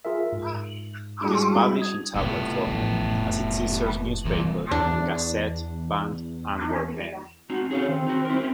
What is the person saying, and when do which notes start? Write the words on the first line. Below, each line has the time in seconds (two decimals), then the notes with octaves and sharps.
It is published in tabloid format as its sister newspaper "Gazet van Antwerpen".
0.05 F4 G#4 A#4 E5
0.33 G#2
1.23 G3 G#3 D4 E4 F#4 G#4
1.82 D#6 G#6
2.16 A2 C3 B3 F4
2.67 A1 F3
3.11 F1
4.25 C2 A#2 E3
4.71 E2 D4
7.50 C4 D#4 F#4
7.71 C#4 G#4 A4 F5
7.88 D#3 C4
8.07 D#4 F#4
8.25 E4 A#4
8.37 C4 C#4